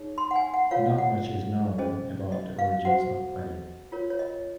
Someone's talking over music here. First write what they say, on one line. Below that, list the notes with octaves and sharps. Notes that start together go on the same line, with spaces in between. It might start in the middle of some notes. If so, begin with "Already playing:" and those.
Not much is known about the origins of Ali.
Already playing: D#4 G#4 C#5
C6
F#5
G#5
F#5
F4 A#4 C#5 F5
F#5
C#4 G#4 C5 D#5
D#5
F5
F#4 C5 F#5
D#5
F4 A#4 C#5
C#5
D#5